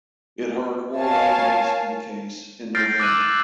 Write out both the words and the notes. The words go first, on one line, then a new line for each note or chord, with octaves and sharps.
It heard oral arguments in the case in November.
A#4 C#5 F5 G#5 A5
F6 G6 A6 A#6 C7 D7
D6 E6 F#6 A6 D#7 F#7